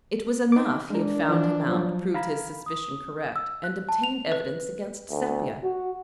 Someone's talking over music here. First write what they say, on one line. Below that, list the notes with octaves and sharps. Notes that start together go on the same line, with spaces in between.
It was enough he had found him out, proved his suspicion correct, and obtained evidence against Sepia.
D#4 D6
G#3 D4 A#4
E3 F3
F3 F#3
F5 A#5 B5
D#6
E6
F#6
A5
F7
B4
D2
F#4